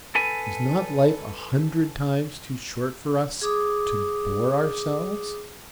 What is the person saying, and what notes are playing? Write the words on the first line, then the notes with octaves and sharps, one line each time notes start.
Is not life a hundred times too short for us--to bore ourselves?
A4 B4 G#5
G#4 D6 D#6